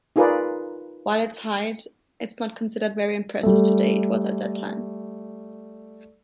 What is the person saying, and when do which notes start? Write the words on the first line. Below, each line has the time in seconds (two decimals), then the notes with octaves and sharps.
While its height is not considered very impressive today, it was at that time.
0.16 D#4 F4 G#4 A#4 B4 D5
3.43 G3 A3